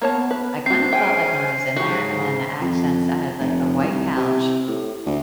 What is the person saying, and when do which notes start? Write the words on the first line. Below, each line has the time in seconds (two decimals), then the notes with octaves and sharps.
I kinda felt like when I was in there and then the accents, I had, like, a white couch,
0.02 A#3 B3 C#5 A5
0.31 B4
0.66 G2 C4 F#4 C5 C7
0.93 G#3 C#4 G5 G#5
1.76 G#2 C#3 F#4 G4
2.61 F2
3.39 F1
3.82 C2
4.17 C3
4.68 A2
5.06 D2